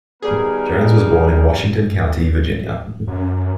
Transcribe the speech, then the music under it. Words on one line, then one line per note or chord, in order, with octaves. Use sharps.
Jones was born in Washington County, Virginia.
D#3 G3 B3 G#4 A#4
F#2